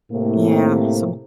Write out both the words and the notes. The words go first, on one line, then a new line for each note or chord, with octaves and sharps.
yeah, so
A2 C3 A#3